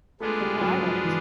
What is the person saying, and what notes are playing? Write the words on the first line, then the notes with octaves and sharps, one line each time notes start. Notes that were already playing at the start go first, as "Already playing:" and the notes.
I know I wouldn't.
G#3 A3 B3 D4 F4 G#4
G3
F#3
F3
E3